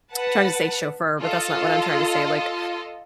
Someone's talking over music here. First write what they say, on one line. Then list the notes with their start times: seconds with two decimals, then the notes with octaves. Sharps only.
I'm trying to say chauffeur, but that's not what I'm trying to say, like,
0.12 B4 F#5 A5
1.20 F4 A4 D#5